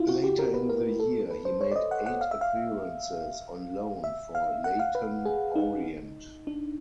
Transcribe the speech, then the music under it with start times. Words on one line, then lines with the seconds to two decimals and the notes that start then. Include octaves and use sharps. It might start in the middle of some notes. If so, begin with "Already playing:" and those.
Later in the year, he made eight appearances on loan for Leyton Orient.
Already playing: E4 F4
0.09 F#4
0.24 G4
0.39 A#4
0.54 B4
0.70 A#4
1.00 A4
1.30 B4
1.45 C5
1.61 C#5
1.71 D5
1.76 D#5
1.91 F#5
2.06 F#5
2.21 F5
2.31 E5
2.41 F5
4.04 E5
4.35 F5
4.64 F#5
4.79 F5
4.95 B4
5.25 G#4
5.56 D#4
6.47 D4